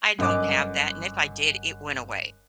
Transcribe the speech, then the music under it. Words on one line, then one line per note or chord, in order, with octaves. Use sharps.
I don't have that, and if I did, it went away.
G1 F#2 D#5 D6